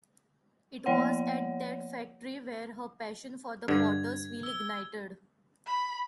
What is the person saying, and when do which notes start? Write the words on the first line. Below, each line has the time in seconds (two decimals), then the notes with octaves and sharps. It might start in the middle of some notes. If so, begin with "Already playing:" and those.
It was at that factory where her passion for the potter's wheel ignited.
0.86 F3 A#3 C#5 F#5
3.68 G2 D3 G#6
4.43 E6 G7
5.66 B5